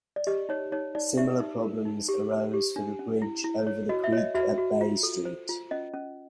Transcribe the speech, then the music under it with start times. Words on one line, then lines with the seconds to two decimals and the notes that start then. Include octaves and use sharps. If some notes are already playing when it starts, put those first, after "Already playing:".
Similar problems arose for the bridge over the creek at Bay Street.
0.16 D5
0.27 G4 D#5
0.49 D#4 C#5
0.72 D#4 C#5
0.95 D#4 D5
1.17 G4 E5
1.40 D#4
1.63 A#4
1.85 D#4
2.09 G4
2.31 C5
2.53 G4
2.76 D4
2.99 C#4
3.22 E4
3.44 E4
3.67 C#5
3.89 F#4 D#5
4.04 E5
4.13 C#5 D#5
4.35 F#4 E5
4.58 F#4
4.81 F4
5.03 A4
5.25 C5
5.49 F4
5.71 C#4 D#5
5.94 C#4